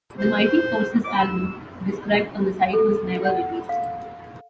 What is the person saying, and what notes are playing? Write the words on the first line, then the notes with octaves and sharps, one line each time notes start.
The Mighty Forces album described on the site was never released.
C5
D6
E6
A4
F#5
F5